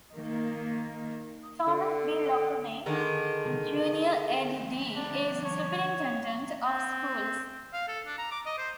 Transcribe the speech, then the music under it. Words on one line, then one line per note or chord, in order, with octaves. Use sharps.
Thomas B. Lockamy, Junior Ed.D., is the Superintendent of Schools.
D#3 A#3
D3
D3 D#3 G#3
D4
C#5
C4
F5
A4
D4
A#5
D6
D#5
C5